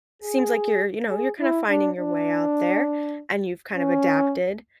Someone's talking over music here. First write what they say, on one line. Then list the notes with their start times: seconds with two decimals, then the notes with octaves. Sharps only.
seems like you're, you know, you're kinda finding your way out there, and you've kinda adapted.
0.22 G#4
1.10 G#4
1.40 E4
1.69 D4
1.99 D4
3.75 C#4